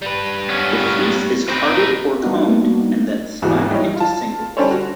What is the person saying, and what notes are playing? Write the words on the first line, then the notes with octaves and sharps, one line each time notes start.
The fleece is carded or combed and then spun into singles.
G3 B4
B3 C#4
C4 D#4 B4
G3 A#3 B3 D4 D#4 F#4
G#1 D#2 E3 F#4 G#4
G3 D#4 E4 C#5
F4 A5
G3 C#4 D4 A4 C5 C#5
F#4